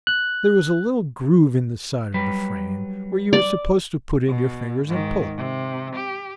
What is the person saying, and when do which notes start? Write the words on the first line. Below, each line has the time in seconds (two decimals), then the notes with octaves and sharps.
There was a little groove in the side of the frame where you were supposed to put in your fingers and pull.
0.07 F#6
2.14 F#3 G3 B4
3.33 D5
4.27 B2
4.86 G#2 D#3
5.37 C3
5.96 G4